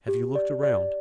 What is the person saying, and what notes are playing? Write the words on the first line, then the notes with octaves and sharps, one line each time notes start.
"Have you looked around?"
G4
D5
D5